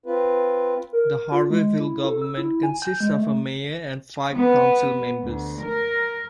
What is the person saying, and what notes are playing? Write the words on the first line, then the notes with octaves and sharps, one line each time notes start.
The Harveyville government consists of a mayor and five council members.
C4 F4 B4
A#4
F4
G#3
E4
A4
E6
E4
G#5
G6
G#3
A3
B3
D2
A#4